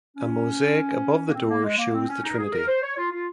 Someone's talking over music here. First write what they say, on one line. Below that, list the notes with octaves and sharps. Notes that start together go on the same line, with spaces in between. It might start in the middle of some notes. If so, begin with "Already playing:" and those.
A mosaic above the door shows the Trinity.
C#4
A#3
C4
A#3
G#3
A#3
C4
C#4
D#4
A#4
G#4
A#4
C5
C#5
F4
F4